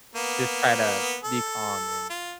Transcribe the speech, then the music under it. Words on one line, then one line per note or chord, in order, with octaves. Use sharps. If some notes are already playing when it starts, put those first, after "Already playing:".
Just try to be calm and
A#3 B3
A4
F4